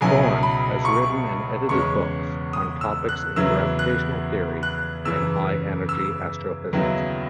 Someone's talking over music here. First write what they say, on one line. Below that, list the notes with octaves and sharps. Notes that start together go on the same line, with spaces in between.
Thorne has written and edited books on topics in gravitational theory and high-energy astrophysics.
C#2 B2 F#3 C#4 E4 G#5
B5
C#6
E2 C#3 G#3 C#4 C#6
D#6
E6
F#6
E2 C#3 F#3 B3 E4 E6
F#6
F#6
F#2 C#3 E3 E6
E6
D#2 C#3 F#3 B3 E4